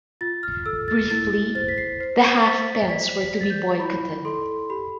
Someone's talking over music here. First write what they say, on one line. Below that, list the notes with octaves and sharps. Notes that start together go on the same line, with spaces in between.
Briefly, the half-pence were to be boycotted.
F4 A6
F6
A4 E6
A6
E4 A6
C5 A6
B6
C7
C5 C7
A6
C5 B6
D5 B6
B6
D5
A6
G6
E4 B5
A4 C6
G4 B5